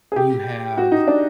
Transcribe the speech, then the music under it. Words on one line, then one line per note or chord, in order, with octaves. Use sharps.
you have
G#4
G4
F#4
D#4
D4